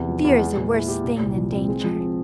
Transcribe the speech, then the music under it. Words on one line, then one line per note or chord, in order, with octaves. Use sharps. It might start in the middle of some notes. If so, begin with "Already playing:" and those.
Fear is a worse thing than danger.
Already playing: E2 C3
F3
E2
G#3
A#2
E4
G4
A#2
C2
F3
C4
G#3
F3
C4